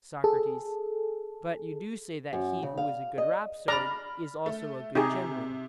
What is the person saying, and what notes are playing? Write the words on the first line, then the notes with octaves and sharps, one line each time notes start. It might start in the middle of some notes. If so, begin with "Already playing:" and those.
SOCRATES: But you do say that he who is a good rhapsode is also a good general.
G#4 A4
F#2
C#3
F5
D#5
D5 A#5 B5 F6
A3
C3 D#4 G4 G#4